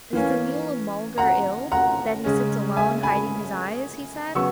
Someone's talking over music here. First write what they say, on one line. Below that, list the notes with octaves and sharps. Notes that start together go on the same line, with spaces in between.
"Is the Mulla-mulgar ill, that he sits alone, hiding his eyes?" he said.
E3 A#3 C#4
F#5 A#5
F#5 A#5
C#3 G#3 C#4
E5 G#5
G#5 B5
C#3 F#3 B3 C#6 E6